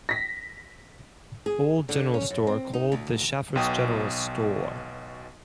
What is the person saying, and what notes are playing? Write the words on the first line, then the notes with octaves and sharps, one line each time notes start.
Old General Store called The Shaffer's General Store.
A#6 B6
G#4
D3
C#4
F#2
C4
D#4
D2
B1 B2 G5 D#6